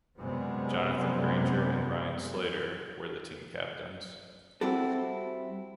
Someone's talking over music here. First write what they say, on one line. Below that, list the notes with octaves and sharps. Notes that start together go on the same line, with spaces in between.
Jonathan Grainger and Ryan Slater were the team captains.
F#2 C3 G3 G#3 B3 C4
G3 C4 E4 F#4 A4